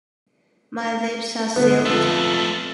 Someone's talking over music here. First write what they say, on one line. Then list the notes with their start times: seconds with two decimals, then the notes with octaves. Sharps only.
My lips are sealed.
1.56 G1 D3 B3
1.86 F2 A3 F4 E6